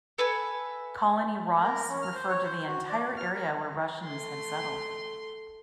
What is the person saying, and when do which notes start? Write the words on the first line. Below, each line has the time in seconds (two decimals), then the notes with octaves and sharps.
Colony Ross referred to the entire area where Russians had settled.
0.18 A4 B4 E5 G#5
1.63 A#4
1.89 C#4
2.02 F6
2.14 C5
2.28 C#5
2.43 C5
2.67 F#4
2.89 D5
3.17 F6
3.34 A#4
4.04 A3 C6